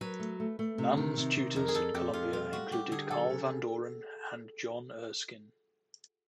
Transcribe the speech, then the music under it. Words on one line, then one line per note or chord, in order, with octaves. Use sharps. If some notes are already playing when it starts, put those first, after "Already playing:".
Lamb's tutors at Columbia included Carl Van Doren and John Erskine.
F#3 B4
A3
A3
A3
C3
D#3
C3
D#3
F2 A#4
G#4
F2 A4
F2 G4
F2 F4
G3 F4
G3 F#4
G3 G4
D3 G#4
F#3 A4
C#3